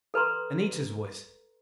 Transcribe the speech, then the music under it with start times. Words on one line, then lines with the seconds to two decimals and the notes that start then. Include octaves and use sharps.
Anita's voice!
0.14 A4 B4 A#5 C6